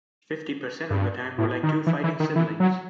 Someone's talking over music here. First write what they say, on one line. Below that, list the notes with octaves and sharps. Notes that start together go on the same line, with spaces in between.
Fifty percent of the time we're like two fighting siblings.
G2
A2
D#3
E3
E3
D#3
E3
F#3